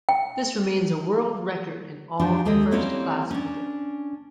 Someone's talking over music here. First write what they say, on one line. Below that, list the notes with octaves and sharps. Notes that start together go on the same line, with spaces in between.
This remains a world record in all first-class cricket.
G5
F3 D4 D#4 F#4 G4
D#2 G#3 G4 A4 D#5
G3 A#3 C4 C#4 E4 C#5
C#4 D4